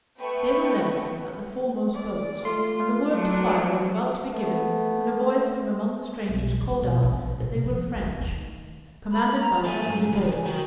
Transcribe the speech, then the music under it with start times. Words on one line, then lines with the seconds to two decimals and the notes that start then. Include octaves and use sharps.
They were levelled at the foremost boats, and the word to fire was about to be given, when a voice from among the strangers called out that they were French, commanded by Jean Ribaut.
0.20 A3 B3 B4 G5 C#6
1.94 D5
2.45 A3 F4 C6
3.11 F#3 D4
4.31 A3 B3
6.29 B1
6.60 E3
6.82 B2
7.02 A#1
7.41 C3
7.64 F3
7.94 D#2
8.21 D#3
9.11 B5
9.40 A#5
9.64 A4 E5 G#5
9.86 G2 F#3
10.10 C#2 E3
10.45 F#4 A#4 G5